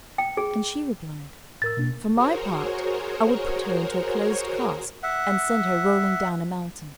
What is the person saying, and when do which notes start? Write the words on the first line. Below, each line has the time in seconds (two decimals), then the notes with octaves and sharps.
And she replied, "For my part, I would put her into a closed cask, and send her rolling down a mountain."
0.18 G5
0.37 G#4
1.62 A2 A#4 E6 A6
1.77 B2 A#3 D4
2.15 F#4 G#4 A#4 C5 C#5
5.03 E5 F#5